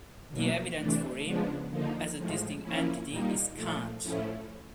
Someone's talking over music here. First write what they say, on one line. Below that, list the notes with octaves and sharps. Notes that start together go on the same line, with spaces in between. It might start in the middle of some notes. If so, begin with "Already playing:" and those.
The evidence for him as a distinct entity is scant.
B2 F#3 A#3
C3 E3 A3 D4
C#3 F3 G#3 B3 D4
D3 F3 A#3 D#4
A2 F3 G#3
F3 A#3 C#4 E4
A#2 G3 A#3 D#4
A#2 F3 A3
A2 F3 A3 C#4 E4